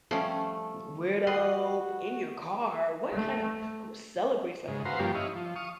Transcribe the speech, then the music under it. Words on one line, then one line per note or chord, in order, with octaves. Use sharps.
“Weirdo, in your car? What kind of who celebrates like that?”
F3 G3 A3 C#4
F#4 B4 D#5 C6
A3
G#2 C#3
F#4 B4 C5 F5 A#5 C6
G2 F3 A#3 C#4 G4
E4 C#5 D#5 F5
F3
F5 C#6 D#6